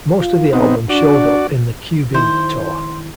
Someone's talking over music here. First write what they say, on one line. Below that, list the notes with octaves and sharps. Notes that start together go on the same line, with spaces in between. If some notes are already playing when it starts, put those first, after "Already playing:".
Most of the album showed up in the Cube-E tour.
F4
C#3 B3 C4 D#4
D4 F#4 D5
D#3 E4 C5